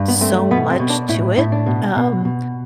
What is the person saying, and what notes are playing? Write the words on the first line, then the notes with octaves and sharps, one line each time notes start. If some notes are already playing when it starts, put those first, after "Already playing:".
so much to it, um
Already playing: G2
B3
A3 C4
B2 B3
C4
B2
D4
A2 E4
A2 E4
D4
B2
B2
B2